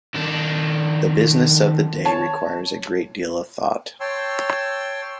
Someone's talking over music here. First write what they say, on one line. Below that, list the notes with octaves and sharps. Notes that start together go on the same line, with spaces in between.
The business of the day requires a great deal of thought.
D#3 D4
C#5 A5
C#5 G5 A5 C6 E6